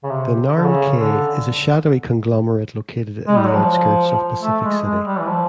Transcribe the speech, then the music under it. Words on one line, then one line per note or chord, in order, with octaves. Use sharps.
The Narn K is a shadowy conglomerate located in the outskirts of Pacific City.
C#3
C3
D3
C#3
D3
G#3
G3
F#3
F3
A3
G#3
G#3
G3
E3
F3